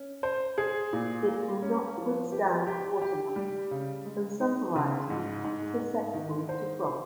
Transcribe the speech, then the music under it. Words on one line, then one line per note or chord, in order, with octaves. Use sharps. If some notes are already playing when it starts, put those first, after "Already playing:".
It will not withstand waterlogging and some varieties are susceptible to frost.
Already playing: C#4
C5
G#4
A#2
A#3
C#4
F3
G4
G4
G4
G3
C#3
G#3
D#4
C#3
G#2
G#2
G#2
D#3
C5
C5